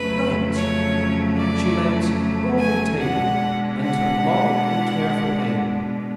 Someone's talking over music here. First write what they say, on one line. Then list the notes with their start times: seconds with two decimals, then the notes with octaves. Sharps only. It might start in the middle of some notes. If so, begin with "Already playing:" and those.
"Right." She leant over the table and took long and careful aim.
Already playing: F2 C#3 F#3 A3 C#4 B4
0.55 C#5
1.37 D5
2.58 G#5
2.99 B2 G#3 B3 D4 F#5
3.80 F#5